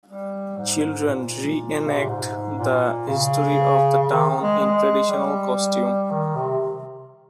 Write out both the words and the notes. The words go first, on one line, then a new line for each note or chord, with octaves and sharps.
Children re-enact the history of the town in traditional costume.
G3
G#2
A#2
C#3
C3
A#2
G#2
A#2
C#3
C#3
D#3
G#3
G#3
G3
D#3
C3